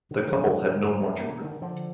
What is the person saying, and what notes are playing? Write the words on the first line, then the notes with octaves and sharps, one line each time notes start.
The couple had no more children.
D3
D#3
F3
F#2 F#3
D3
F#2
F#2
D3 A#3
A#3
D3 D#3
D#3
D3 F3